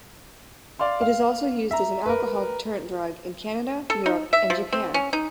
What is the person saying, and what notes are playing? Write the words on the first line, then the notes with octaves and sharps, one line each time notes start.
It is also used as an alcohol deterrent drug in Canada, Europe and Japan.
D5 F5 C6
F5
E5 A#5
A#4 B4
A4
D#4
E5
F3
C4
C#4
D#4